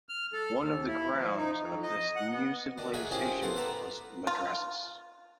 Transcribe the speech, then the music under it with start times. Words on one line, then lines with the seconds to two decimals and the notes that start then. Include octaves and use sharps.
One of the grounds of this new civilization was madrasas.
0.09 F6
0.33 A4
0.59 D#2
0.87 E4
1.14 F3
1.36 D#4
1.58 F2
1.83 D#5
2.16 F#5
2.31 B3
2.78 D#3 D4
2.94 F#4 G#4 A#4 C#5 E5
3.11 C3 C#4 E4 F4 G4 G#4
3.42 B3 E4 A4 A#4 C5
3.56 B4 D5 F#5 A5 A#5
4.27 F4